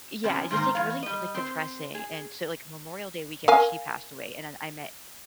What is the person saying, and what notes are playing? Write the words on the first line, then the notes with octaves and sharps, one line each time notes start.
Yeah, it's just, like, really, like, depressing. And so, like, in Memorial Day weekend, she passed away. And then I met
F#2 C3 B3 C#4
G#2 D#3 A#3 C5 A5 A#5
E2 B3 C#5 F5
G3 D#5
C4 C5
G#4
A#4 F5 G#5